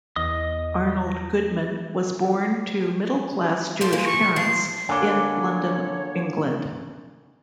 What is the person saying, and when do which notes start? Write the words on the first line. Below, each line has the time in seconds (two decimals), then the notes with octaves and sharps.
Arnold Goodman was born to middle class Jewish parents in London, England.
0.16 E2 D#5 D#6
3.81 F3 G3 A4
3.92 G#3 A#3
4.06 C#6
4.36 F3 C7
4.89 D3 A#3 D4 C#5 G#5 D6